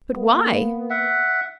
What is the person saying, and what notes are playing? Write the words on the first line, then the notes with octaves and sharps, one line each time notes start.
But why?
A#3 B3
E5 F#5